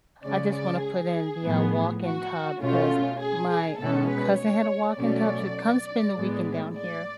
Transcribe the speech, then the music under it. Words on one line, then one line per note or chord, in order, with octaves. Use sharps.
I just wanna put in the, uh, walk-in tub 'cause my, um, cousin had a walk-in tub, she would come spend the weekend down here,
C#3 G#3 C#4 D5
D5
G#4
A2 F3 B3
F#4
B2 A3 C#4 F4
G#4
G#4
B2 G#3 C#4 A4
B4
C#5
B2 F#3 A3 C#4 D5
A2 G#3 B3
D5